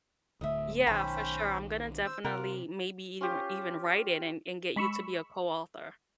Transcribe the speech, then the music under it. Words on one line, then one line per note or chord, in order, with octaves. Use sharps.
Yeah, for sure, I'm gonna definitely maybe eve even write it and and get you to be a co-author.
D1 D3 A3 D#5 E5
B1 D#3 C#4 C5 G5 B5
C5 E6
C3 F4 A#4 F#5
C#4 F4 G4
G#3 B5 C#6 E6